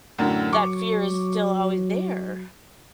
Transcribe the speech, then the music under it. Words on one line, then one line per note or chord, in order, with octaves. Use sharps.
that fear is still always there.
F#2 A2 D3
F#3 C#6 D6